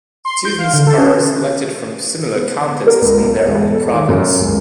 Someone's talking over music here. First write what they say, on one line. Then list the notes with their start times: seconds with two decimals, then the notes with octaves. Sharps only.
Students are selected from similar contests in their own province.
0.25 C6
0.45 G6
0.59 F5
0.74 D3
0.87 A4
0.98 C#4
2.35 B3
2.87 A#4
3.02 C#2
3.21 B1
3.47 E1
3.71 A4
3.93 D#3
4.09 F#2
4.41 C#2